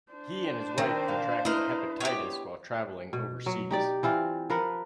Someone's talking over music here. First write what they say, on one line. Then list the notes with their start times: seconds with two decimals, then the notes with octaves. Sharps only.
He and his wife contracted hepatitis while traveling overseas.
0.12 D4 C5
0.78 D#3 C4
1.08 A#2 F5
1.45 D#4 E4 A#4 B4 D#5 F5
2.00 B3 G4 C#5 D#5 G5
3.13 B2
3.46 F#3
3.71 D#4 G4 D5
4.03 E3 C4 F4
4.50 F3 A#4 B4 F#5